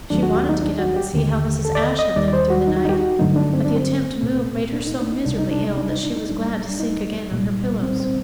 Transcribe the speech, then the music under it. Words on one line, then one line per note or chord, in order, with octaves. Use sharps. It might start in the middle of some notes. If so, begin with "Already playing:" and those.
She wanted to get up and see how Mrs. Ashe had lived through the night, but the attempt to move made her so miserably ill that she was glad to sink again on her pillows.
D#2 D#3 F#3 A3 D4
F#4
G4
D#4
D4
F#4
G4
D#2 D3 A3
A4
D5
D#5
D#5
D#2 D#3 G3 D5
D5
C5
F#4
D#4
F#4
D#4
G4
F#4
G2 D3 F#3 A3 D#4
D4
C4
D4
C4
C2 A#2 A3
D4
D#4
D4
D#4
C2 C3 G3 D4
D#4
D4
D#4
D4
D#4
D4
D#4
A2 G3 D4
D4
D#4
C2 A#2 G3
C4
C4